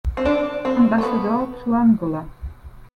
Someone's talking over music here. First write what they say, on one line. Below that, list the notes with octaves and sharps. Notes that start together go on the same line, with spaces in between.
Ambassador to Angola.
C4
D4
C4
A3
B3